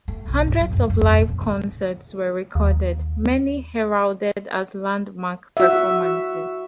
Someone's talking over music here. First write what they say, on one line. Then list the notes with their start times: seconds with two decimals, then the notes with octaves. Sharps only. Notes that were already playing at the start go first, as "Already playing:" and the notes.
Hundreds of live concerts were recorded, many heralded as landmark performances.
0.08 A3
0.28 B1
0.47 G#2
0.59 F#3
0.73 F#2
0.90 F#2
1.02 F2
1.15 A#2
1.29 C#4
1.41 D3
2.55 D#2
5.57 F#4 E5